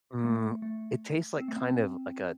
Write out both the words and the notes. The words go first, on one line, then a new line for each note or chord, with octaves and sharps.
mm, it tastes like, kind of, like a
A3
A3
C4
A3
C4